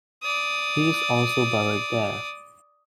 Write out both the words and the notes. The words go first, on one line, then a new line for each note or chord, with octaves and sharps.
He is also buried there.
D5 D#6